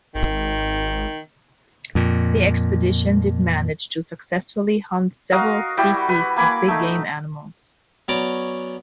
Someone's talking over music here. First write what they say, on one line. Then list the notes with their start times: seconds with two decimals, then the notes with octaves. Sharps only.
The expedition did manage to successfully hunt several species of big game animals.
0.15 G#1 D#3
1.95 F2 A#2
5.32 F#4 A#4 D#5 F5
5.77 G3 E4 F#4 G5
6.09 B4
6.37 A#3 G#5 B5 D6
6.68 A3 D#4
8.08 F#3 B3 C#4 D5 A#5 D6